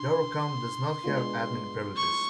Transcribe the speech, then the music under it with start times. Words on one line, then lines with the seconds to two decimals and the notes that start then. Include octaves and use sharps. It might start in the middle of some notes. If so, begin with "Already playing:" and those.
Your account does not have admin privileges.
Already playing: D3 C6
1.04 G#3 B3 D4 F4
1.97 C#6